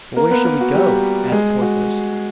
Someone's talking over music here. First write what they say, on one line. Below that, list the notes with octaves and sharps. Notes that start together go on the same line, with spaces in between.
"But where shall we go?" asked Porthos.
A#3 A#4
B3 B4
A#3 A#4
F#4
G3 G4
G#3 G#4
F#4